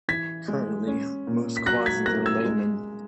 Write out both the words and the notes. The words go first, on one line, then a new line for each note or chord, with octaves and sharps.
Currently most Quazis are laymen.
E3 G#6 B6
G#3
C#4
A#2
B6
F#3 F#6 A#6
G#6 B6
A#3 F#6 A#6
E6 G#6
G#3